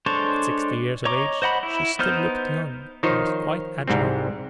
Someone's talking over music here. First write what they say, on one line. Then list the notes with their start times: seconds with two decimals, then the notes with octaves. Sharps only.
At sixty years of age she still looked young, and was quite agile.
0.06 G#3 D4 A4 C5 C#5
1.05 C#5 D#5 A#5 C#6 D6
1.42 C5 D#5 F#5 B5
1.63 E4
1.99 B3 D#4 C5 F6 G6
3.03 D#3 F3 D#4 C5 C#5
3.88 C2 G#2 G3 C4